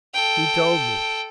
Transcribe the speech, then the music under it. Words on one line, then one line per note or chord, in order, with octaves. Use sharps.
He told me.
A4 G5